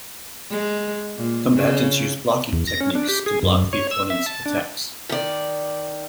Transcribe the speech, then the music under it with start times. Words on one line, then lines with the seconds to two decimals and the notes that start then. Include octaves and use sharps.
Combattants use blocking techniques to block the opponent's attacks.
0.50 G#3
1.17 A#2
1.55 C#3
2.53 E2
2.67 A#6
2.81 C#4
2.95 D4
3.09 G4
3.26 G#4
3.43 F#2
3.73 C#5
3.91 E6
4.10 E5
4.26 A5
4.46 D4
5.09 D#3 D5